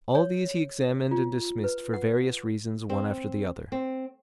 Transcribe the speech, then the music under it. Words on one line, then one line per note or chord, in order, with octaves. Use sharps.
All these he examined and dismissed for various reasons one after the other.
C#5
F4
B4
F#5
C4
C4